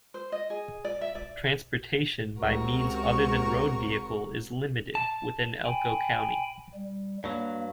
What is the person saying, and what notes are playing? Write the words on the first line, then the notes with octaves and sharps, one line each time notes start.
Transportation by means other than road vehicle is limited within Elko County.
C5
D#5
G#4
D5
E5
D5
C#2 C3 F#4 A#4 C#6
A5
G5 G#5 B5
G3
G2 F#3 A#3